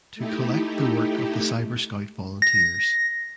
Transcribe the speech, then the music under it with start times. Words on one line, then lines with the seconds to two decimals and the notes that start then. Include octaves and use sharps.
To collect the work of the Cyber Scout volunteers.
0.16 A3 D#4 E4 G4
2.42 A#6